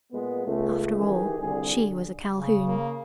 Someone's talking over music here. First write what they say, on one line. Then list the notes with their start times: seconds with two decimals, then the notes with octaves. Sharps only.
After all, she was a Calhoun.
0.12 A#2 G#3 B3
0.46 C#2 A3
0.99 D#3 E3 G4 G#4
1.39 C2 D3 G3 G4 G#4
1.76 D3
2.32 C#3
2.68 A#3